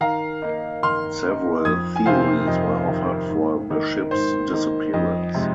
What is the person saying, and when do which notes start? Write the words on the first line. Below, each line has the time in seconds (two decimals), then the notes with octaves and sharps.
Several theories were offered for the ship's disappearance.
0.01 D#3 F5 A#5
0.42 A#3 D#4
0.83 D#3 C6 F6
1.24 A#3 D#4
1.65 F2 D#6 G#6
1.96 G#5
2.06 C3 D#3 C5 F5
2.47 F2 D#5
2.88 C3 D#3
3.29 G#2
3.70 D#3 A#3 D#4
4.11 G#2 C5
4.52 D#3 A#3 D#4
4.93 F2 D#5
5.34 C3 G#3 D#4